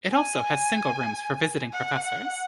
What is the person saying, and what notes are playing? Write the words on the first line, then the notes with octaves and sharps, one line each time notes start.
It also has single rooms for visiting professors.
G#5
F#5
F#5